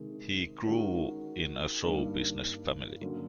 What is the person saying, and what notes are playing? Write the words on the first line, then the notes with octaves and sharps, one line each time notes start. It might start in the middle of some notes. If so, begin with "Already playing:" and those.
He grew in a show business family.
Already playing: C3 D#3 G#3
D#3 G#3 C#4 F#4 A#4
G2 D#3 G3 A#3 D4
D3 F#3 A#3 C#4